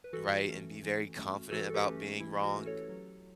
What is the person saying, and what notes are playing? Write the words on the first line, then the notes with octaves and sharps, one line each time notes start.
right? And be very confident about being wrong.
B4
E3 F#4 A4
A3 C#4
E3
A3 C#4
E3 F#4 A4
A4
G4 B4
A3 C#4
E3 E4
F#4
A3 C#4
A4 C#5
F#3